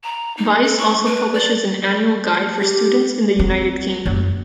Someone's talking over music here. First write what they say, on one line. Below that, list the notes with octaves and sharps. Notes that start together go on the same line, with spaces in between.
"Vice" also publishes an annual guide for students in the United Kingdom.
A#5
D#4
A4
C#6
B4
D5
G4
C4
F#1